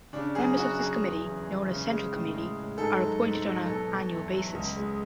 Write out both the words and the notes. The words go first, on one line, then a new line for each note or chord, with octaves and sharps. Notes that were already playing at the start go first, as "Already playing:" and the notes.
Members of this committee, known as Central Committee, are appointed on an annual basis.
C#3 D4
F#3 G#4
F#2 F#4
F#3 G#4
E2
C#3
G#3
C#3
G#3
A2
G#3
G#3
G#2 A4
F#3
G#2
F#3
B2 A4
B2
E2
F#3
C#2
G#3